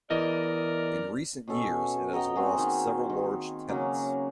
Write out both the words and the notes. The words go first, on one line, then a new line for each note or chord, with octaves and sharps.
In recent years it has lost several large tenants.
E2 E3 A#4 D5 D#5
B2 C#4 A4 C#6
D#5 F#5 G5 A#5
A#3 C4 F#4 G#4
D#3
D#3
C#3 F#3 A#3